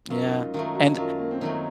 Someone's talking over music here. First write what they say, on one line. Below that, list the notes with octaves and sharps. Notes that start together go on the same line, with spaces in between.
Yeah, and,
F#2 F4
D#4
F4
D#3 F#3 A3 F4
F#4
F#2 F4
A#3
C4
D#3 F#3 A3 C#4